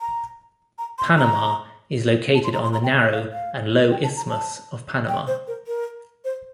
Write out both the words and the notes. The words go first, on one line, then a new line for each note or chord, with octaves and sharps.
Panama is located on the narrow and low Isthmus of Panama.
A#5
A#5
C6
A#5
A5
C6
A#5
C6
A#5
G5
E5
F5
F5
G5
A5
A#5
A5
G5
C5
A#4
A#4
C5